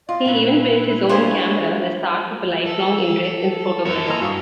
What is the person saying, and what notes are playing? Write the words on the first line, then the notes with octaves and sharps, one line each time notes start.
He even built his own camera, the start of a lifelong interest in photography.
F4 D5 D#5
A#2 C4 C#4 E4 B4
D4 F4 G4 C5 C#5 G#5
A4
F#2 E3 A4 A#4 C#5
E3 A#3 E4 D#5 G#5 A#5 C6 E6
G2 F#4 F5 D#6